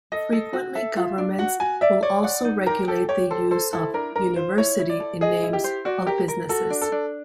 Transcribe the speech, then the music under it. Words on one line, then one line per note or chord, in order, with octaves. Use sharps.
Frequently governments will also regulate the use of "university" in names of businesses.
A4 D#5
A4
F#4
A4 E5
F4
D4
F#4 F#5
F#4 G#5
D5 E5
C#5 D5
F#5
D#4
G4 A#4
G4 A4
G4 C#5
A4 C5
A4 C5
E4 A4
D4 A#4
D4 A#4
F4 C5
E4 C#5
E4
D5
A4
G#4 D#5
E4
G4
C5
F#4 D5
G4 A#4
A#4
F#4 A4
D4
A4
D4